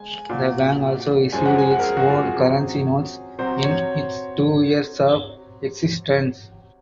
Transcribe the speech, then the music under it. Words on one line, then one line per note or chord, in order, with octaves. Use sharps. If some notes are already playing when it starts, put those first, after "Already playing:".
The bank also issued its own currency notes in its two years of existence.
Already playing: G#3 G#5
A#2 F#3
F#2 F3 G#3 G#5
F#5
G#5
F#5
A#4
G#4
F#4
F4
G#4
C3 F#3
C3 F#3 C5
C#5